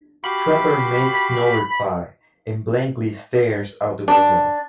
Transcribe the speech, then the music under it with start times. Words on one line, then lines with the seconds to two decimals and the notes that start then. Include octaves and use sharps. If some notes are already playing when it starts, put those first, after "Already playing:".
Trevor makes no reply, and blankly stares out the window.
0.24 F#4 G4 F5 B5
4.08 D4